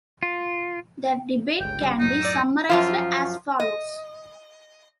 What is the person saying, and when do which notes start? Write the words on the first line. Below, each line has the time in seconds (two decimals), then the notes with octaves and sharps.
The debate can be summarised as follows.
0.23 F4
1.61 G1 C#2 G5
1.81 C#3 G3
2.00 F#2 A2 D#4
2.21 D5 D6 E6
2.69 F#2 F3 F4
3.60 D#5